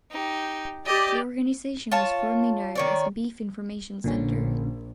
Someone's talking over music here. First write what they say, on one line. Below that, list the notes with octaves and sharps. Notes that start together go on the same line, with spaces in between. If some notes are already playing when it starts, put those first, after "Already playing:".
The organization was formerly known as the Beef Information Centre.
D#4 G4
G4 D5 D#5
F4 C#5 A5
D#3 C#5 D5
A#1 A#2 D3 C#4